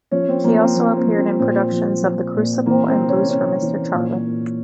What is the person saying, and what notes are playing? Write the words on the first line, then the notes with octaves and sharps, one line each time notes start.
She also appeared in productions of "The Crucible" and "Blues for Mr. Charlie".
F3 C#4
C4
F3 A#3
C4
F3
C4
F3
C4
A#2 C4
F3
F3
A#2
E3 A#3
C4
C3
C#4
C3 C#4
E3
A#2
A#2